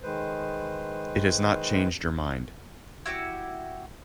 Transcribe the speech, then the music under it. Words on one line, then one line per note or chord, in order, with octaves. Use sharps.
It has not changed your mind.
D#3 G#3 B4 C5
E4 F#4 G4